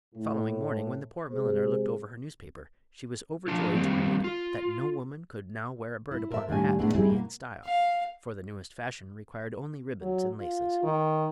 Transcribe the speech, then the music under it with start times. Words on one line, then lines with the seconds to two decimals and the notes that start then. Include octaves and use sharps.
The following morning when the poor milliner looked over her newspaper she was overjoyed to read that "no woman could now wear a bird upon her hat and be in style, for the newest fashion required only ribbons and laces."
0.15 A2
1.30 C3 G#3 G#4 C5
3.48 F3 D4 F4 A5
3.75 D#3 G3 A#3 C4
4.24 F4
6.11 E4
6.31 A4 A#4 C5 D5 E5
6.49 D#2 A2 G3 A3 D4 G#5
6.79 A2 G#3 A3 B3 D4
6.95 G3 C4 D#4 E4 G#4
7.09 B2 A#3
7.65 F5
10.01 F#3
10.40 F4
10.84 D#3